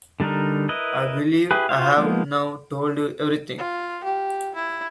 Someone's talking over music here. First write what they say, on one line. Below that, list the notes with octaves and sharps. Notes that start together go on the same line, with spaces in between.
I believe I have now told you every thing.
D3 G3 D4 D#4 A#4
E4 A#4 B4 D#5
E4 G4 G#4 B4
F4 F#4 C5 F5
F3 G#3 A#3 B3 D#4
F4
G4
E4